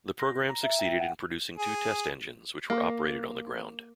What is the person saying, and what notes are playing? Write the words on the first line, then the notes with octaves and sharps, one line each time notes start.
The program succeeded in producing two test engines, which were operated on the ground.
A#6
A#5
E5
G5
F#5
G#4
A#3